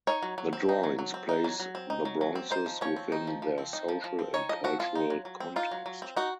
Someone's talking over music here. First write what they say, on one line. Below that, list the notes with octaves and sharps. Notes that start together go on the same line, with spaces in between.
The drawings place the bronzes within their social and cultural context.
D#4 C#5
F#3
F#3
C4
D#4
F#3
F#3
C4
D#4
F#3
F#3
C4
D#4
F#3
F#3
C4
D#4 C5
F3
F3 C#5
C4
D#4
F3
F3
C4
D#4
F3
F3
C4
D#4 C#5
F3 D#5
F3 F#4
C4 F4
D#4
F#3
F#3
C4
D#4 F4
F#3
F#3
C4
D#4 F#4